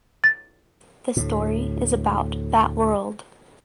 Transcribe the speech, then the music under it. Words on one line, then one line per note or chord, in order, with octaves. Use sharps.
The story is about that world.
A6
D2 A2